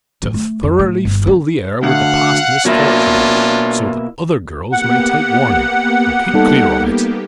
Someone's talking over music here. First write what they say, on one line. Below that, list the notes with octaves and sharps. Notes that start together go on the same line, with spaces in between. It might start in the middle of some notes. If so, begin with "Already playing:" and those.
"To thoroughly fill the air with the past misfortune, so that other girls may take warning and keep clear of it."
A1
A3
F2
A2
G1
C#4
D2 F5 F#5
B2 A#3 C#4 D4 E4 F4
A#3 B3 G4 F#5
G3 D#4 A4